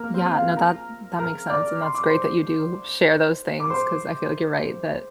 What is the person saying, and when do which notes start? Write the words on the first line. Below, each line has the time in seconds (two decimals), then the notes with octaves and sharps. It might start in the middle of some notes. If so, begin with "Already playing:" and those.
Yeah, no, that that makes sense, and that's great that you do share those things, 'cause I feel like you're right that
Already playing: A#3 A#4
0.14 C4 C5
0.34 F4 F5
0.56 A#4 A#5
1.19 A#4 A#5
1.50 D5 D6
1.82 C6
1.95 D6
2.06 C5 C6
3.60 D6
3.70 C5 C6